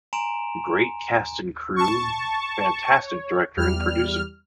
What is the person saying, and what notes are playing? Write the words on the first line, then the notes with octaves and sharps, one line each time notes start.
Great cast and crew, fantastic director and producer.
G#5 A#5 C6 D7 E7 F7
A5 C#6
C#5
E2 G3 F6